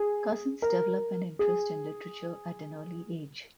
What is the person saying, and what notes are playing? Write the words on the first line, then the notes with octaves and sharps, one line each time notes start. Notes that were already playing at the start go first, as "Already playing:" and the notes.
Cousins develop an interest in literature at an early age.
Already playing: G#4
A#4
G#4